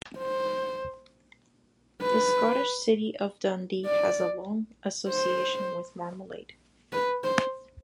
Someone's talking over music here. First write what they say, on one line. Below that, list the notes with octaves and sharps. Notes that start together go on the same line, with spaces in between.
The Scottish city of Dundee has a long association with marmalade.
C5
B4
D5
C5
B4
C5